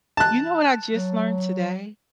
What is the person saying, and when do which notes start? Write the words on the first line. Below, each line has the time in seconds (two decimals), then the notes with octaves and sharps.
you know what I just learned today?
0.17 A5 F#6
0.93 F#3